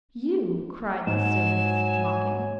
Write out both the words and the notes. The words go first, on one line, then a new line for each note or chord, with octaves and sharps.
"You!" cried the servants mocking.
G#2 F#3 G#5 E7